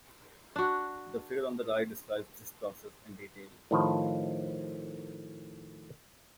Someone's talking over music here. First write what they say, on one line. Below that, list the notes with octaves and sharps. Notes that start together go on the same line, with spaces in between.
The figure on the right describes this process in detail.
D4 F#4
A2 D#3 F3